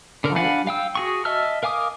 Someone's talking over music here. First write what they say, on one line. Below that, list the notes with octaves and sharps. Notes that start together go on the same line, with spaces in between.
like, m
D3 A#4
D4 F5 F#5 G#5 B5
F5 G5 E6
F#4 G#4 C#6
D#5 E5 A5 E6 F6
A#4 F5 G#5 D6 D#6